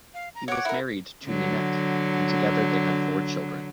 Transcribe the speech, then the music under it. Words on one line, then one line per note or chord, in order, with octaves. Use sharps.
He was married to Nanette and together they had four children.
F5
A#5
C#5 F#5 D6
E4 A#4
D3 F#3